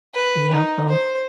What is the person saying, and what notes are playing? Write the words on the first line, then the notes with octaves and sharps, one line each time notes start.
be helpful.
B4
D#4
C5